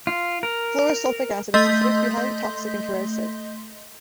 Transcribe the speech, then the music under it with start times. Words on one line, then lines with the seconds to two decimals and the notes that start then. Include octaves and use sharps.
Fluorosulfuric acid is considered to be highly toxic and corrosive.
0.07 F4
0.43 A#4
1.54 A3 D#5 C6 G6 B6